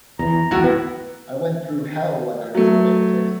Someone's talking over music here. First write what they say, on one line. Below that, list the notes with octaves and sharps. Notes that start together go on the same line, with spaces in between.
I went through hell when I was evicted.
E2 E3 A#5
D1 E2 A2 E4 F#4
B3
F#3 A3